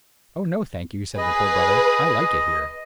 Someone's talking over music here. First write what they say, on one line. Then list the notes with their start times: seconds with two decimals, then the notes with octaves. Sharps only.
"Oh no, thank you," said the Poor Brother, "I like it here."
1.18 G#4 B4 D#5